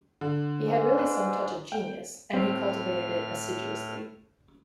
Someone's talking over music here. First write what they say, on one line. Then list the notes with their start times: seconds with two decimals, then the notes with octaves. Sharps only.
He had really some touch of genius, and he cultivated it assiduously.
0.21 D3
0.66 G#2
0.98 D4 B4
1.72 G5
2.34 A2 C4 F6